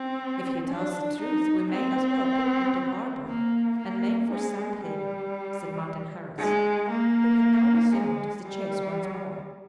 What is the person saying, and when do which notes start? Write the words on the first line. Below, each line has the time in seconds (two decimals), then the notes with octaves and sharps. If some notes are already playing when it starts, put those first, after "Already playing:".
"If he tells the truth we may as well put into harbor and make for Sand Haven," said Martin Harris, who had now resumed the chase once more.
Already playing: C4
0.69 D4
1.20 D#4
1.73 C4
3.27 A#3
3.79 A#3
4.31 G#3
4.82 G3
6.38 G#3
6.90 A#3
7.93 G#3
8.45 G3